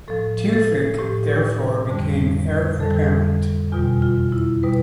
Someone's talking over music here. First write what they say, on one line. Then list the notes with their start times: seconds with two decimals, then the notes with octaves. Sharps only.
Tewfik therefore became heir-apparent.
0.08 A2 F3 A4
0.53 A4
0.98 A2 F3 G4
1.89 F2 D3 G3
2.80 F2 D3 G3 A4
3.72 E2 B2 G3 F4
4.02 F4
4.32 E4
4.63 B2 G3 B4